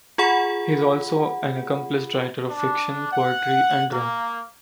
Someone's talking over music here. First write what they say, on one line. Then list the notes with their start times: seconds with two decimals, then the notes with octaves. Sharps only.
He is also an accomplished writer of fiction, poetry, and drama.
0.18 F4 G#4 F#5 B5
2.50 D4
3.12 F#5
3.92 A#3